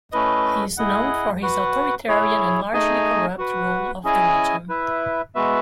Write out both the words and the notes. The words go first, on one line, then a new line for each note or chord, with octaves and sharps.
He is known for his authoritarian and largely corrupt rule of the region.
A3 C#4 E4 B4 D#5
E4 G#4 D#5 F#5
F#4 B4 F#5
E4 G#4 C#5
A3 D#4 G#4 D#5 G#5
F#4 B4 F#5
C#4 E4 G#4 D#5 G#5
E4 B4 E5
G#3 B3 F#4 B4 E5